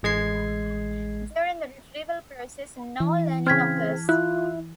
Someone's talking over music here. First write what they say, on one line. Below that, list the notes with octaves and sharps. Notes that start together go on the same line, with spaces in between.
During the retrieval process, no learning occurs.
A1 G#3 G#6 C7
E3
C#3 C4 F6 G#6 B6
E4 F4 F#6